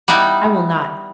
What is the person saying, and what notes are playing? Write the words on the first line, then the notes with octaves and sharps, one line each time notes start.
I will not.
G3 B3 D#4 E4